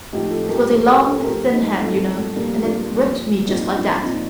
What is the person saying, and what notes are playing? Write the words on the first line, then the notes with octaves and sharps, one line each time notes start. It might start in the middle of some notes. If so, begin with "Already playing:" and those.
"It was a long thin hand, you know, and it gripped me just like that."
A2 F3 D#4 G4
F4 A4
G4 A#4
A2 F3 A4 C5
G4 A#4
A4 C5
A2 F3 G4 A#4
C4 D#4
A2 F3 A3 C4
A3
A#2 F3 G3 A#3
D4 F4
A#2 F3
A#2 F3 C4 D#4
D4 F4
A#2 F3 C4 D#4